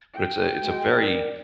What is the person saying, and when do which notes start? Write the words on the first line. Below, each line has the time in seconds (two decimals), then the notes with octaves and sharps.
but it's a it's a very
0.13 G5
0.60 G#3 F#4
1.00 A#4 D5